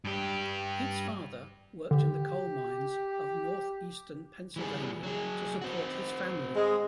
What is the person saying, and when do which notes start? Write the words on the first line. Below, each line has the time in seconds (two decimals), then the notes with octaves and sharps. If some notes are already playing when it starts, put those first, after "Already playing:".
Pete's father worked in the coal mines of northeastern Pennsylvania to support his family.
0.04 G2 G4
1.91 D3 G4
4.56 E3 G3 G#4
5.03 F#3 G#4
5.62 C4 F#4
6.56 G#3